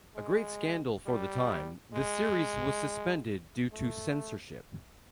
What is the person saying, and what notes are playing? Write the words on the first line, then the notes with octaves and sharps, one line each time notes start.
A great scandal for the time, the series was suspended due to censorship.
G#3
G3
G#3
A3